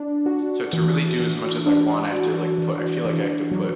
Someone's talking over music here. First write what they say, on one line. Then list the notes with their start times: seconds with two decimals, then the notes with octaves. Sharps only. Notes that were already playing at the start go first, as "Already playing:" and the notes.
So, to really do as much as I want, I have to like put I feel like i have to put
Already playing: D4
0.26 F#4
0.73 E3
1.20 E3
1.66 D4
2.12 F#4
2.58 E3
3.05 E3
3.51 F#3